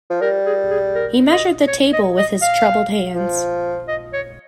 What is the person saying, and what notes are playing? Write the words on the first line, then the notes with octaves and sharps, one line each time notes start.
He measured the table with his troubled hands.
F3
G3 A#4
G#4
G#4
A#4
D#5
C#5
D#5
D#5
F5
F3
D#5
C#5